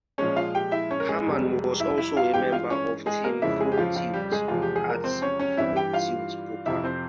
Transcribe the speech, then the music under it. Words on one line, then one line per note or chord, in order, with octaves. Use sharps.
Harman was also a member of "Team Full Tilt" at Full Tilt Poker.
A#2 F3 G#3 C#4 C#5
F4 F5
G4 G5
E4 E5
C#4 C#5
A#4
G#3 G#4
F2 C3 G3
E4 E5
E4 E5
F4 F5
G2 E3 G#3 G4 G5
F4 F5
C#4 C#5
G#3 G#4
A#3 A#4
F2 C#3 F3 G#3 E4 E5
G#3 G#4
G4
F3 F4
F3 F4
G3 G4
G#3 G#4
E2 C3 F3 G#3 F4
G4
G#4
A#4
C4 C5
C#4 C#5
C#4 C#5
G2 E3 G3 E4 E5
G4 G5
F4 F5
F2 C3 F3 E4 E5
C4 C5